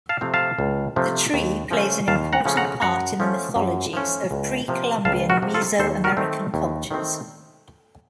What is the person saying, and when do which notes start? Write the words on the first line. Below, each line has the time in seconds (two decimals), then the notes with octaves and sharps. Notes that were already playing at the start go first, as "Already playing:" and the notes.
The tree plays an important part in the mythologies of pre-Columbian Mesoamerican cultures.
0.09 F5 A5
0.21 C3 F3 A3 C4
0.34 F5 A5
0.59 C#2
0.96 C3 F3 A3 C4
1.34 D#2
1.70 C#3 F3 A3 C#4
2.08 D#2 F5 A5
2.33 F#5 A#5
2.45 C#3 F3 A3 C#4
2.57 F#5 A#5
2.82 F#2 F#5 A#5
3.20 F3 A3 C#4
3.56 F#2
3.93 F3 A3 C#4
4.31 C#2
4.68 C3 F3 A#3
5.05 C#2 F5 A5
5.30 F#4 A#4
5.42 C3 F3 A#3
5.54 F4 A4
5.79 D#2 A4 C5
6.04 F#4 A#4
6.17 D#3 A3 C4
6.54 D#2
6.91 D#3 A3 C4